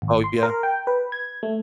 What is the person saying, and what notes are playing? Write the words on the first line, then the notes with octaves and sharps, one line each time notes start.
Oh, yeah.
G#1
C6
A#4
G5
B4
G#6
A3